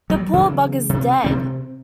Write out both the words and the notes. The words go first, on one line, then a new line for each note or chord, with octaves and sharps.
The poor bugger's dead!
F#3 G3
C#3 E3 F#3
C3
C3 C4